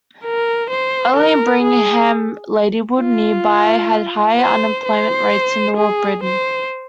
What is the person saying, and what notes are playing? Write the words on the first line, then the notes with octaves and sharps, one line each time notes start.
Only Birmingham, Ladywood nearby had higher unemployment rates in all of Britain.
A#4
C5
A#4
G#4
F4
C5
C5
G#4
C5